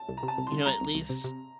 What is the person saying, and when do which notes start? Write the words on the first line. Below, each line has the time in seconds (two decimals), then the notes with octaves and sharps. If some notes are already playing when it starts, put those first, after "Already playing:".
you know, at least
Already playing: A5
0.09 C2
0.17 A#5
0.23 C3
0.28 A5
0.38 C2
0.47 C6
0.51 C2
0.66 C2 A#5
0.81 C2
0.95 C2
1.09 C3
1.24 C3